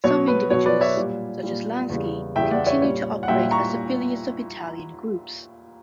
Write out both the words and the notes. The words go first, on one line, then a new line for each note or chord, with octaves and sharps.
Some individuals, such as Lansky, continued to operate as affiliates of Italian groups.
B2 F#3 C#5
B4
B2 F#3 C#5
B4 D5
C#5 E5
A#2 G3
A#2 G3
E2 C#3 G3
E2 C#3 G3 E5 G5
D5 F#5
C#5 E5
A#2 G3 C#5
F#5
A#2 G3 E5 G5
A#5 C#6